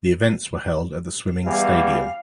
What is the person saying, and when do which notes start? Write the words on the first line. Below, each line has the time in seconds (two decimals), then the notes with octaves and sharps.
The events were held at the Swimming Stadium.
1.46 E2 E3 G3 F5